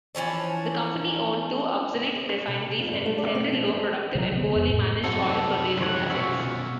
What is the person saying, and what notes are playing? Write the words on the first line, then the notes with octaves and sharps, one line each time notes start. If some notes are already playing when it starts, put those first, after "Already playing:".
The company owned two obsolete refineries and several low-productive and poorly managed oil-producing assets.
E3 F3 C#4 D4
C3
G#4
F2
G2
A3
D5
C4
F3
G2
C3 F3 F#3
D3 B3
F2
A2
C2 F#2 C4 D#4 F#4 A4
F3 C#5 F#5
B2 C#4 F4 F#4 E5